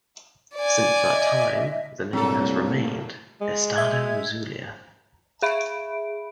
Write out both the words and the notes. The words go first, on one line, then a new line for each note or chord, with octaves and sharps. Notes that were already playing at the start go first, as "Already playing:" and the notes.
Since that time the name has remained "Estado Zulia".
D5 G#5
D#5 E5
C2 A#2 F#3 A3 A#3 C4 D4 A4
G#3
E5 G#6
G#4 E5 B5 D7